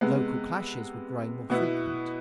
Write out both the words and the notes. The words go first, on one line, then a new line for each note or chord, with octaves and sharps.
Local clashes were growing more frequent.
C3 G#3 B3
B2 B3 E4